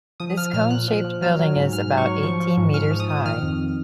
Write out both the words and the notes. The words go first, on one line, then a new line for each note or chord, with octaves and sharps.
This cone-shaped building is about eighteen metres high.
F3 D#6
F3 F6
A#2 F6
A#2 F#6
F3
F3
F#3 F6
F#3
G#2
G#2 F6
F#3
C#6
F#3
F3 C#6
F3
G#2
G#2 F6
F3
D#6
F3
D#3 F6
F2